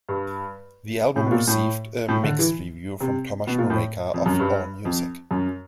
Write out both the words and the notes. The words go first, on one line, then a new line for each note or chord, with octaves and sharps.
The album received a mixed review from Tomas Mureika of "Allmusic".
G2
A2
B2
A#2
A2
A2
D3
E3
C3
B2
A#2
A2
F2
F#2
G2
F2
F#2